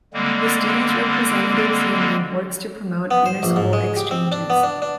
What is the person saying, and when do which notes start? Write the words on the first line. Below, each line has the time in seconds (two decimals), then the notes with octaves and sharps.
The Students' Representatives' Union works to promote interschool exchanges.
0.14 D3 G3 G#3 A#3 C4
3.11 B3
3.26 C5
3.43 A#1
3.56 G#2
3.73 G#3
3.97 G4
4.11 C4
4.32 D4
4.50 B3
4.63 D4
4.82 D4